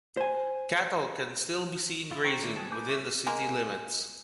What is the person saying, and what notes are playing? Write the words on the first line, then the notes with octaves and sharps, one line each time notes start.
Cattle can still be seen grazing within the city limits.
C5 G#5
E4 F4
C5 G5 A#5 C#6
D#3 A3 D4 E4
F#3 G3 B3 G#4 A5
A#3 B4 G#5 D6 G6
E5 C#6 D6
G#3 A#3